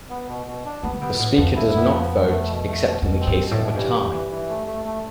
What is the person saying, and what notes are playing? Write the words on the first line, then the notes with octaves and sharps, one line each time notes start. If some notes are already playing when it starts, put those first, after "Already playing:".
The Speaker does not vote except in the case of a tie.
B3
B2
B2
D4
A3 B3
D3
C3 B3
B2
A2 B3
F2 F3
F2 E4
B3
F3
B3
A3
B2
A3
B2
F2 B2
C4
G2
B2
A2
B2
G2 E3
E3
E3
E3
A3
A3
A3